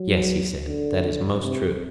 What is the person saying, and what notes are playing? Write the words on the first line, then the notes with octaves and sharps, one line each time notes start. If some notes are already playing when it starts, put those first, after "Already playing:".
Yes, he said, that is most true.
Already playing: F#3
D3
C3